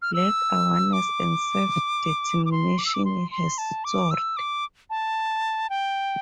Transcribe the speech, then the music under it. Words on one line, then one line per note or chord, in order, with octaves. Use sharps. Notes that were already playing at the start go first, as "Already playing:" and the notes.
Black awareness and self-determination has soared.
F6
E6
D6
D6
C6
D6
E6
D6
C6
C6
A5
D6
E6
D6
A5
G5